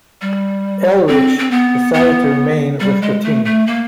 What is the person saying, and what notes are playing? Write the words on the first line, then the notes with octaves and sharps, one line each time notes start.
Elric decided to remain with the team.
G3
C4
C4
B3
B3
G3
G#3
A3
A3
A#3